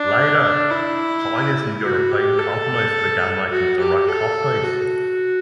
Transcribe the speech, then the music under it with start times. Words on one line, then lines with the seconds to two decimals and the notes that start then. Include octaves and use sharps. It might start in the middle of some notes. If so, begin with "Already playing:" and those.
Later Chinese and European companies began making direct copies.
Already playing: D4
0.71 E4
1.83 F#4
2.11 G4
2.38 A4
3.51 F#4
3.79 G4
4.08 A4
4.63 F#4